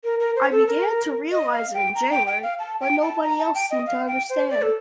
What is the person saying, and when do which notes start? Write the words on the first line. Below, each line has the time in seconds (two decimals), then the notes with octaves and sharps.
I began to realize it in January, but nobody else seemed to understand.
0.04 A#4
0.20 A#4
0.36 C5
0.51 A4
0.67 A#4
1.32 D#5
1.52 F5
1.75 G5
1.95 A#5
2.12 G5
2.27 G5
2.43 F5
2.59 A5
2.81 G5
3.02 A5
3.23 A#5
3.39 A5
3.55 G5
3.71 D#5
3.87 F5
4.08 G5
4.30 C5
4.50 D5
4.62 A4